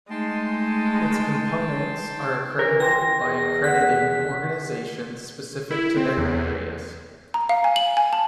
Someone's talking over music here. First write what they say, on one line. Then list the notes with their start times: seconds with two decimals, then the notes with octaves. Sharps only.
Its components are accredited by accrediting organizations specific to their areas.
0.10 G#3 A3 D#4 G5 A5 C6
2.59 E3 A#4
2.80 G5 C6 A#6
3.19 E2
3.64 F#5 F#6 B6
5.71 E4
5.97 C4
6.18 E2
7.34 A#5
7.49 F5
7.64 G#5
7.76 F#7
7.97 G#5
8.13 A5